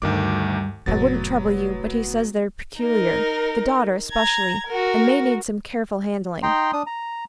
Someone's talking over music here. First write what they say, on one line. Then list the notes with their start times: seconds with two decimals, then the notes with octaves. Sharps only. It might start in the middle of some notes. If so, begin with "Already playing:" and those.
I wouldn't trouble you, but he says they're peculiar--the daughter, especially--and may need some careful handling.
0.02 D2 G2 D#3 G3 D6
0.86 F1 A2 F#3 B3 A6
2.81 D#4 A#4
4.12 A#5 G#6
4.67 F#4 A#4
6.43 D#4 G5 A#5 C6
6.73 D4 D#6
6.86 A#5